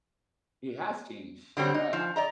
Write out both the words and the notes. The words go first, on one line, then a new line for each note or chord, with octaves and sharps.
He has changed. Right I
D3 F#3 G3 C4
D#4
F3
D5 D#5 A#5